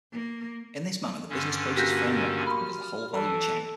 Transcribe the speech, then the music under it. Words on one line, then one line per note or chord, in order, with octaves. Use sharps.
In this manner the Business Process Framework map covers the whole value chain.
A#3
G2 D3 C#4
A#3 F#4 G4 G6 A#6 B6
B5 C6 F6
E3 A4